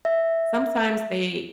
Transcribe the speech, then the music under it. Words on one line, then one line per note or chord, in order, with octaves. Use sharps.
Sometimes they
E5